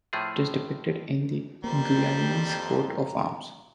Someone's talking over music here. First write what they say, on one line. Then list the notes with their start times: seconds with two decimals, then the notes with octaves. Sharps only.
It is depicted in the Guyanese coat of arms.
0.13 A2 F3 A3 G#4
1.64 F2 G3 A#3 C5 A#5